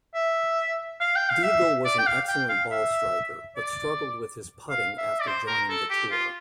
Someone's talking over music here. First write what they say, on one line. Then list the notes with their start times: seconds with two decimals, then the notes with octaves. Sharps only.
Diegel was an excellent ball-striker, but struggled with his putting after joining the tour.
0.15 E5
1.00 F5
1.16 G5
1.29 F5
1.43 E5
1.85 D5
1.98 G5
2.06 F5
2.28 G5
2.49 F5
2.71 E5
3.56 D5
4.70 F5
4.98 E5
5.20 D5
5.27 C5
5.47 A#4
5.69 A4
5.90 G4
6.11 F4